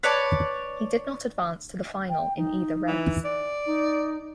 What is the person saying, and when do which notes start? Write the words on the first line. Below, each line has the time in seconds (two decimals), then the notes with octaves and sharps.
He did not advance to the final in either race.
0.03 B4 C#5 D5 A5
2.08 G5
2.36 D#4
2.87 E3
3.25 D5
3.65 D#4